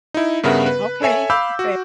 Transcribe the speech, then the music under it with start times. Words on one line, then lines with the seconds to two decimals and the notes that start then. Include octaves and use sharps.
Okay, okay.
0.14 D#4 E4
0.43 G2 C#3 B3 A#4 E5 F#5
0.66 B4
1.02 A4 C#5 E5 G#5
1.30 F5 B5 D6 E6 G6
1.59 F#4